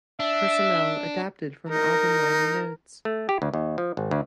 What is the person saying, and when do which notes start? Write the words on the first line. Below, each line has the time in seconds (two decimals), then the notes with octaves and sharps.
Personnel adapted from album liner notes.
0.20 D4 E5
1.70 D#4 A#4
3.05 A3
3.29 G4
3.42 D2
3.54 D#2
3.78 F3
3.97 G#1
4.11 D2